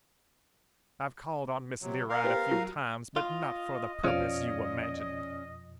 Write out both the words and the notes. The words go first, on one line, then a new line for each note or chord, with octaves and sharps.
I've called on Miss Learight a few times; but not for the purpose you imagine.
C3 F#3
A#4 F5
B3 G4 C5
F#3
F4 D#5
F2 B2 F3 C#4 D5 F5